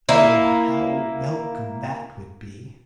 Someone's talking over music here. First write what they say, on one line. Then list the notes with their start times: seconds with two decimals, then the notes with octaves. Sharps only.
"Oh, how welcome that would be!"
0.09 A#3 E4